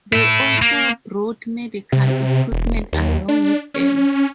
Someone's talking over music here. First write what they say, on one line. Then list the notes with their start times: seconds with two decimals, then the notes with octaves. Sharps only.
They also brought medical equipment along with them.
0.13 E4 A4
0.62 A#3
1.92 C3
2.52 E1
2.93 D#2
3.28 D4
3.74 C#4